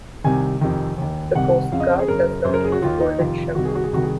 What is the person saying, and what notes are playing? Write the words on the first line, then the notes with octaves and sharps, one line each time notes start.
The Coast Guard does not use golden chevrons.
C2 C3 D#3 G#5
F2 C3 D#3
D#2 D#3
C2 C3 D#3 F#5
F2 C#3 F5
D#5
C5
G#4
F#2 C#3 A#4
F#2 C#3 C5
A#4
G#4
F#4
D#2 D#3 F4
D#4
F2 C3 D#3 F4
C2 C3 D#3 F#4
G#4
F#4
G#4
C2 C3 D#3 F#4
G#4